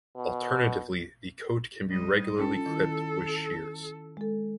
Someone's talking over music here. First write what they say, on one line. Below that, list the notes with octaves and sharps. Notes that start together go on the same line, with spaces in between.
Alternatively, the coat can be regularly clipped with shears.
B2
G3 D#5
C#4 F4 A4 G5
D#3 E4
G#3 A4